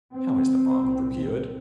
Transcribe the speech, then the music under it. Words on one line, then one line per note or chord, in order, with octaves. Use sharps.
How is the bark procured?
C4
C2 A#2